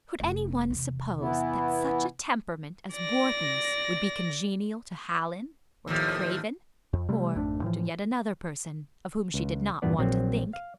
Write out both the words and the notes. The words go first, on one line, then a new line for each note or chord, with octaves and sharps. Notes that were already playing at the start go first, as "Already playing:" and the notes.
Could any one suppose that such a temperament as Wharton's would be congenial to Hallin or to Craven--or--to yet another person, of whom she did not want to think?
F1
E2 C3
E3 B3 E4
D5 A#6
D#2 A2 F3
F2
C3 G3 A3
G#1 F2 A3 D4
A2 E3 F3
C#2
E2 G2 A#2 B3 D5
A#1 F#3 C4
F5